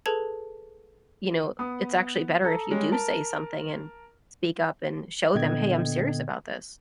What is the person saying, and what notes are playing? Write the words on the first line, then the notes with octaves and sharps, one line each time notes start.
you know, it's actually better if you do say something and speak up and show them, "Hey, I'm serious about this."
G#4 A4 B4 A5 G#6
B3 D#6
A4 A#5
G3 G#3 C#4
A#4 A5 A#5
A#2 D3 B3 D#5 G5 G#6